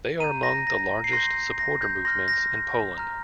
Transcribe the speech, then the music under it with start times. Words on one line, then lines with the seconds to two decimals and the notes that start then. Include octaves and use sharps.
They are among the largest supporter movements in Poland.
0.20 A#5 G6 D#7
0.43 A#6
0.67 A#6
1.04 C7
1.12 C6 G6 A#6
1.59 A#6
1.82 G6
2.05 C6 F6 A#6
2.28 A#6
2.97 A#5 F6